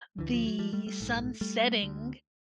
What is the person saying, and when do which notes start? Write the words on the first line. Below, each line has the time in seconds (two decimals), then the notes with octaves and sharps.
the sun setting
0.19 D2 D3 E3
0.33 F3
0.46 F#3
0.59 F3 G3
0.73 G3 A3
0.87 G3 A3
1.00 A#1 G#2
1.41 G3 A3
1.82 D2 D3